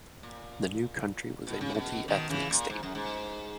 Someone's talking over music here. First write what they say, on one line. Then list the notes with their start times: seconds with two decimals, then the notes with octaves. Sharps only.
The new country was a multi-ethnic state.
0.23 A#2
1.47 B2
1.61 C#3
1.75 B2
2.08 B2 D#3
2.29 C#3 E3
2.50 A#2
2.70 G#2
2.83 F#2
2.95 G#2